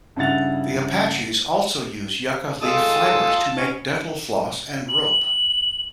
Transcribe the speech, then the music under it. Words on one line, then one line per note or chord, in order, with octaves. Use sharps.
The Apaches also use yucca leaf fibers to make dental floss and rope.
G2 C#3 E4 F#5 A6 F7
G#3 F4 A4 A5 D#6 E6
B2 C#4
F#7